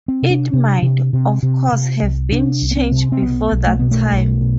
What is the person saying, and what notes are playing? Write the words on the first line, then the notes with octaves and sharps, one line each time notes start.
It might, of course, have been changed before that time.
C4
C3
D4
C3
C3
C3
C3
C3
C2
C3 D4
C2
B3
C4
C3
C4
B1 B3
B1
A3
B2 B3
A3
B1
B2